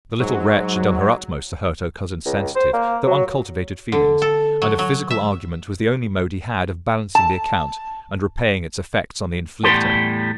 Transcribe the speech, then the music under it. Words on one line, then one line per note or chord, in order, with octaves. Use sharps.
The little wretch had done her utmost to hurt her cousin's sensitive though uncultivated feelings, and a physical argument was the only mode he had of balancing the account, and repaying its effects on the inflictor.
G#2 F#3
C#2
C5
A#3
F#3
D3
A4
F#3
F#3
E5
A5
E2 A2 G3 C6